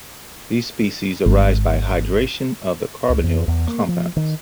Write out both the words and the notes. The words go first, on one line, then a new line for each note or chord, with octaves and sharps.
These species arise by hydration of the carbonyl compounds.
G#1
C#2
F2
E2
A#3
F3
D#3